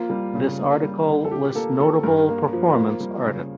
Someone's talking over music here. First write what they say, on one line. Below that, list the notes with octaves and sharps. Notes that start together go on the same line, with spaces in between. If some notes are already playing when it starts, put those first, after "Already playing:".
This article lists notable performance artists.
Already playing: F3 A#3 F4
G3
C#3
A#3
G3
D3
A4
A#2 G4
A#3 A4
F3 A4
G2 A#4
A#3
F3
A#3
G3
C#3